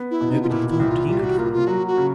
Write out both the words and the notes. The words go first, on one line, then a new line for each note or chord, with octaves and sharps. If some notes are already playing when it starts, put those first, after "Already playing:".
Nobody thought he could fall.
Already playing: B3
E4
B2
D#4
F4
A#2 E4
E4
C2
F4
G3 F4
G4
F#4
A#3 F4
F4
F#3 F#4
F#4
C#3